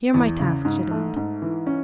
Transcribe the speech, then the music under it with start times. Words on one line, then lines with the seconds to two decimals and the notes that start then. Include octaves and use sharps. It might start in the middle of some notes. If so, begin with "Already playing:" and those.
Here my task should end.
0.14 E2
0.39 C#3
0.65 G#2
0.91 A3
1.16 G#2
1.42 E3
1.67 C#4